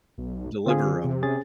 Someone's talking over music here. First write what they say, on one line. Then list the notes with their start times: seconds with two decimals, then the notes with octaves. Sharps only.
deliver 'em.
0.18 B1
0.66 D3 C4 F4 G#4
1.04 C3
1.23 C#4 G#4 A6